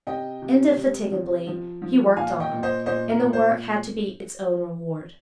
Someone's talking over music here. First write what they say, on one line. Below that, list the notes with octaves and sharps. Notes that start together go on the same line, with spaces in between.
Indefatigably he worked on, and the work had to be its own reward.
C3 D#5 G5
C3
C3
F3
F3
F3
A#2 F5 G#5
D#5 G5
A#2
C5 D#5
A#2 C5 D#5
A#4
A#2
C5